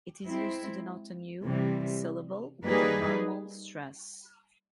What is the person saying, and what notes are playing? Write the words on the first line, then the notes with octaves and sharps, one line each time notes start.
It is used to denote an "u" syllable with abnormal stress.
G#3 C4 E4
C3 E3 G3
G3 A#3 D#4 G#4 B4